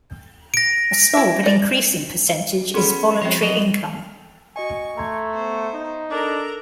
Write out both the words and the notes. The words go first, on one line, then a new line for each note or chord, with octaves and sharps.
A small but increasing percentage is voluntary income.
A#6 D7
E4 E5
D#4 D5
B3 C#4 G#4 A4 B5 C6
F3 C4 F#4 C5 C#5
F#3 F#4 D5 D#5
F#4 D#5 G#5 C#6
A3 A#5 C6 G#6
B3 C5
D#4
D4 A4 A#4 A#5